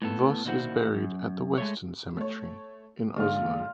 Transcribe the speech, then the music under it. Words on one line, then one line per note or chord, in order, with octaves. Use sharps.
Voss is buried at the Western Cemetery in Oslo.
A2 B3 A4
A#2 D#3 E4 F#4 C5 F#5
F#2
G#3 A3 C#5
A3 C#5
A#1 G#2 D3 F4 F5